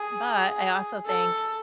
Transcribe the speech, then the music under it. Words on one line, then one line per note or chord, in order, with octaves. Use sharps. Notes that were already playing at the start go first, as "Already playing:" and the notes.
but, I also think
Already playing: G#4
A4